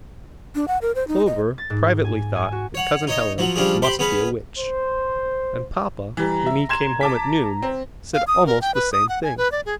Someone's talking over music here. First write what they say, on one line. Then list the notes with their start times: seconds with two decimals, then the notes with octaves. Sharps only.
Clover privately thought that Cousin Helen must be a witch; and Papa, when he came home at noon, said almost the same thing.
0.55 D4
0.68 F#5
0.82 A#4
0.95 C5
1.08 D#4
1.26 D#5
1.58 A6
1.70 G#2
2.04 G#5
2.35 G#5
2.52 F#4
2.75 C#5 F#5
3.07 D#4 C#5 D#5
3.38 F3 F#3 F#4
3.56 F3 G3 C#4 D4 G#4
3.82 G4 C5 G5 B5 C6
3.99 B3 C#4 G#4 B4
4.59 C5
6.17 E3 G3 A#5
6.46 E5
6.69 C6 G#6 E7
7.01 A5 D6 B6
7.63 C4
8.14 F5
8.27 D#6
8.46 A#4
8.61 G5
8.75 B4
8.93 D#6
9.09 F#5
9.24 G#5
9.38 B4
9.52 D5
9.66 G#4